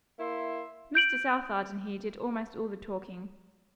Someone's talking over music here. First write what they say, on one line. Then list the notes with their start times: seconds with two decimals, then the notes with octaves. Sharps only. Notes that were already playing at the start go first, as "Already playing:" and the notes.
Mr. Southard and he did almost all the talking.
0.19 A#3 E4 E5 C6
0.95 G6 D7 F#7